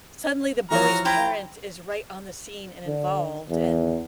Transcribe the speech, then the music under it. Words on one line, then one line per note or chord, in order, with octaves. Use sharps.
suddenly the bully's parent is right on the scene and involved, and,
E3 F3 F#4 C#5 A#5 F6
E4 G4 C5 A#5
D3
E2